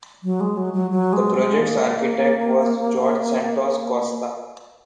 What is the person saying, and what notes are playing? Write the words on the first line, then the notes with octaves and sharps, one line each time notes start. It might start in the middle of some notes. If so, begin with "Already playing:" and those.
The project’s architect was Jorge Santos Costa.
F#3
G#3
F#3
F#3
F#3
G#3
G#3
A#3